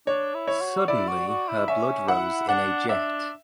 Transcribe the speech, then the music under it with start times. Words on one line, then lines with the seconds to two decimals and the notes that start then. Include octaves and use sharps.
Suddenly her blood rose in a jet.
0.07 D4 C#5
0.34 E4
0.47 C#5
0.61 F#4
0.88 E4 D5
1.08 F#4
1.28 F#4
1.49 E4
1.68 C#4 E5
2.08 E4 F#5
2.48 D4 F#5
2.88 D4 E5